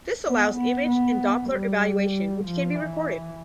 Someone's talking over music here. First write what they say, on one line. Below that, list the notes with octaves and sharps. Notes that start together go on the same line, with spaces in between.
This allows image and Doppler evaluation which can be recorded.
B3
B3
B3
G3
F3
E3